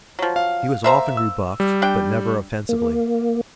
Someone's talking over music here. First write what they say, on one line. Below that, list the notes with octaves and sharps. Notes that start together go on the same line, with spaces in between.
He was often rebuffed but never offensively.
F3 F#3
F5
A#3 C5 E5 A#5
E6
G3
D4 G5
A#3